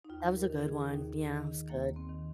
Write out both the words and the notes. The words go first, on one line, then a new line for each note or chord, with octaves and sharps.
That was a good one, yeah, it was good.
D#4
D#2 F4
A#4
D#3
G#4
D#2 D#4
D#3
D#2 A#3
C4
D#3